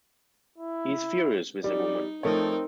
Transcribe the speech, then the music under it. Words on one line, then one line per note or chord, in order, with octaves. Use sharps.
He is furious with the woman.
E4
G3 D#4 D5
F3 A3 C4 D#4 A#4 C#5